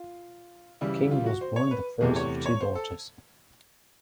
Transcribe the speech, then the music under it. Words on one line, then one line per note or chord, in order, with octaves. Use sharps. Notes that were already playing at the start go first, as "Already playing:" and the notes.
King was born the first of two daughters.
Already playing: F4
C#3 E3 G3 E4
E4
F4
F#4
C5
C#5
B4
E2 C3 E3 A3 G#4
C#5
C#5
C5
A4